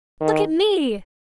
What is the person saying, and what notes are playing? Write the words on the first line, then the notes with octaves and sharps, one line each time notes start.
"Look at me!"
D#3